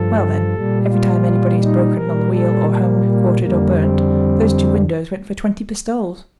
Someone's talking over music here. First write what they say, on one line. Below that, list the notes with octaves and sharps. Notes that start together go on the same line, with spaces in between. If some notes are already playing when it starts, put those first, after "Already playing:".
"Well, then, every time anybody is broken on the wheel or hung, quartered, or burnt, these two windows let for twenty pistoles."
Already playing: G2 F3 A4
A#2 G3
F4
D#4
A#2 G3 A#4
A4
A#3
A#3
F2 D3 G3 A#3
C4